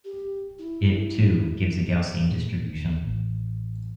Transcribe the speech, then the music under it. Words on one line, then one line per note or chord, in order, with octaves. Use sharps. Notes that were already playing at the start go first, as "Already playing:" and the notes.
It, too, gives a Gaussian distribution.
G4
E4
A#2
D#2
A1